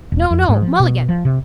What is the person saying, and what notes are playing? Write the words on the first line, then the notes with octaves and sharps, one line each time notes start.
No, no, Mulligan!
E1
F2
G#2
F3
B2
F3
C3